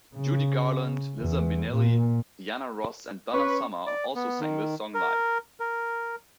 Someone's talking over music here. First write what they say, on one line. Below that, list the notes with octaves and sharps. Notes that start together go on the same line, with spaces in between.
Judy Garland, Liza Minnelli, Diana Ross and Donna Summer also sang this song live.
C#3
E2
A#2
C#4 B4 C#6
D5
B3
D#3
A#4
A#4